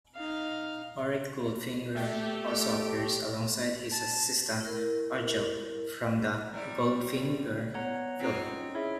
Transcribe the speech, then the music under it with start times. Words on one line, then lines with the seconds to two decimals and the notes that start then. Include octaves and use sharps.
Auric Goldfinger also appears, alongside his assistant, Oddjob, from the "Goldfinger" film.
0.15 D#4 F5
1.95 A3 G4
3.92 A5
4.61 E4 A#4
6.52 F#3 G3 E4
7.74 B3 C#5 F#5 A#5
8.20 C4 C#4 D#4 F4
8.74 E4 G#4 C#5 E5